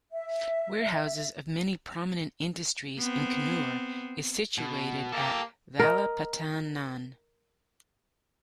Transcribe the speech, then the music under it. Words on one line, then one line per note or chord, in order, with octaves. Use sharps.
Warehouses of many prominent industries in Kannur is situated at Valapattanam.
E5
B3 C4
B2
A#3 G4 A4
A#4 D#5